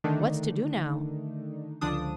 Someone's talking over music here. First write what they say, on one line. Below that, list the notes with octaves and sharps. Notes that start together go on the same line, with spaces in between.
"What's to do now?"
D3 D#3 A3 D4 D#4
C#2 D3 F3 D4 D#6